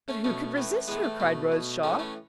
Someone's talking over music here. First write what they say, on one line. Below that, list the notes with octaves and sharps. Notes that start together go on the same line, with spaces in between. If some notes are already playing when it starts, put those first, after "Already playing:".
"But who could resist her?" cried Rose Shaw.
A3 C#4
B2 A3 C#4
A2 E3
A2 E3 G#3 B3
A3
B2 A3
B2
A2 E3 A3 C#4
A3 C#4